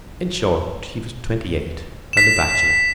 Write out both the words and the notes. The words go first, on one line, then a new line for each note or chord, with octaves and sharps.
In short, he was twenty-eight, and a bachelor.
B6 E7